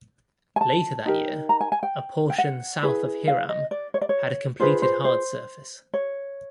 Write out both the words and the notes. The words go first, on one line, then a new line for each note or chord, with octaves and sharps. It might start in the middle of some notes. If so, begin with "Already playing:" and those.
Later that year, a portion south of Hiram had a completed hard surface.
G#5
A5
D#4 G4 A#4
A#5
G#5
G#5
G5
G5
F#5
E4 G#4 B4
F5
D#5
D5
C#5
D5
C#5
F4 G#4 B4 C5
C5
C5
C#5